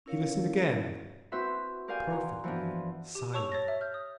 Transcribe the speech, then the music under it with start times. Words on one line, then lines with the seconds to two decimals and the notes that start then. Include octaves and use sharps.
He listened again: perfectly silent.
0.06 C#4 E4 A#4 C#5 F5
1.32 C4 E4 F#4 B4 E5 C6
1.88 G4 A#4 D5 F5 G5 G#5
2.11 F#4 A#5 C6
2.44 E3 F3 B3 D4
3.15 G4
3.34 C#5 A5 C#6 E6 F7
3.52 C#5 A6 A#6
3.68 E5
3.81 F6 G6
3.94 D#6